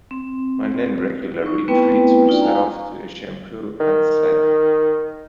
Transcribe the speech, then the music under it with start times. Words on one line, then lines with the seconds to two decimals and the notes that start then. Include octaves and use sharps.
My nan regularly treats herself to a shampoo and set.
0.11 C4
1.42 D#4 C#6
1.68 A3 B3 C4 E4 B4 G5
2.28 C#4 D#4 F4 D5 G5
2.41 F5 G#5 A#5
3.80 D#3